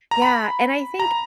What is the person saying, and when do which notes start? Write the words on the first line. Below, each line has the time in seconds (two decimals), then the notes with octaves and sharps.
Yeah, and I think
0.11 A#5
0.22 B5
0.99 A#5